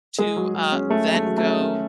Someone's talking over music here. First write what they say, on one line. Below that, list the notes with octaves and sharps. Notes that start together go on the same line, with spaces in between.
to, uh then go
G#3 G#4
F#3
F#3
C#4
A3 G#4
F#3
A3
F#3
A3
C#4
C#4